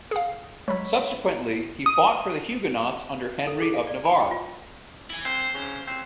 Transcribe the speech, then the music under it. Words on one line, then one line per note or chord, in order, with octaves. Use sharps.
Subsequently, he fought for the Huguenots under Henry of Navarre.
G#4 F5
F#3 G#3 C#5 B5
D#6
A4
G#4
F5
D5
B5
G5
F4
E4 G#5
C4 C5
C#3
C4